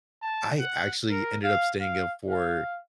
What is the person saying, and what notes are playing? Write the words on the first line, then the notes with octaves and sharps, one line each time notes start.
I actually ended up staying up for
A5
F#5
A#4
F5
F5
F5